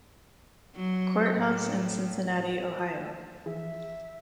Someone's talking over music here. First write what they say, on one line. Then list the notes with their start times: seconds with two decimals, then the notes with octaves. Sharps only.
Courthouse in Cincinnati, Ohio.
0.75 F#3
1.37 A2
3.46 E3 F3 G#4 E5